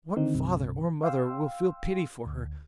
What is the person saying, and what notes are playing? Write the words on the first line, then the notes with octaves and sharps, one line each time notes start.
What father or mother will feel pity for her?
D3 D#3 C4 D#4
C2 G2 C3
F5 G5 C6 E6
D2